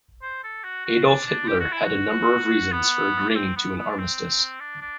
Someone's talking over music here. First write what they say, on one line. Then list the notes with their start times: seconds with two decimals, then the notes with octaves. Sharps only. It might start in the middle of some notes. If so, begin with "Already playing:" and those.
Adolf Hitler had a number of reasons for agreeing to an armistice.
0.22 C5
0.44 A4
0.64 F#4
0.85 F#4
1.06 D4
1.27 D4
1.47 G4
1.60 F#4
1.72 E4
1.84 F#4
2.72 B3
3.30 D4
3.36 C4
3.57 B3
3.77 B3
3.90 D4
3.98 C4
4.60 D4
4.81 D4